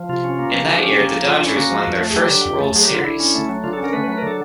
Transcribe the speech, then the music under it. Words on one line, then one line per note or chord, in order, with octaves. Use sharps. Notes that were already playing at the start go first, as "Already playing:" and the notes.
In that year, the Dodgers won their first World Series.
Already playing: F3
C3 F4
C#4
A#3
F3
D3 F#4
G#4
C#4 G4
A#3
F3
D3 F4
F4
C#4
E4
A#3 F#4
F3
F2
A3
G#4
F#3 G4
D3
F2
A3
F#3 G#4
G4
D3 F4
D3 E4
C#4
A3
F#3
D3 F4
A4
C#4
A#4
A3 B4
F#3 B4
A#4
D3 A4